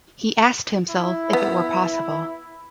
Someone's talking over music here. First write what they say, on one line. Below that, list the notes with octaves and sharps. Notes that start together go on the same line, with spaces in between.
He asked himself if it were possible.
E4
B3